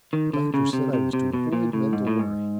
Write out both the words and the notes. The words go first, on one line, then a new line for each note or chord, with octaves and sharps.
The doctor said I was to avoid mental worry.
D#3
D3
C#3
C3
C3
C3
B2
A#2
A2
G#2
A2
G#2